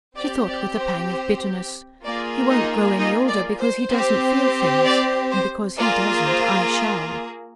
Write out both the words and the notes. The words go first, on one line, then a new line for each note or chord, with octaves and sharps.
She thought with a pang of bitterness: "He won't grow any older because he doesn't feel things; and because he doesn't, I SHALL..."
C4 G4 D5
D5
C5
C5
A#3 F4 G#4 D5
D#4 D#5
D#4 D#5
D5
C5
C4 G4
D5
C5
A#3 F4 G#4 D5
C5